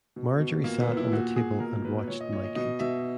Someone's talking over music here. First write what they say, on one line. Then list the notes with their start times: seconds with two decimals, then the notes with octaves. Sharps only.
Marjory sat on the table and watched Mike eat.
0.16 B2
0.40 B2
0.64 A#2 A#3
0.81 B3
0.88 A#2
0.97 E4
1.12 A#2 F#4
1.36 A#2 G#4
1.60 B2 A#4
1.84 B2 B4
1.98 B4
2.08 A#2 C#5
2.21 D#5
2.32 A#2 C#5
2.44 D#5
2.56 B2 D#5
2.80 B2 E5